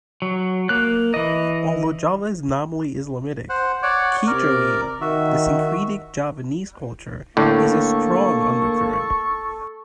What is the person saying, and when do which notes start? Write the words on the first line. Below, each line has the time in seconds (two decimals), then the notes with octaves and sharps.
Although Java is nominally Islamitic, "kejawen", the syncretic Javanese culture, is a strong undercurrent.
0.22 F#3
0.69 A#3 F#6
1.14 E3 D#5
3.49 C5 F#5
3.83 C#5 D5 F#5
4.27 C3 A#4 D5
5.01 D#3 F#4 E5
7.37 A2 D3 A#3 A4 C#6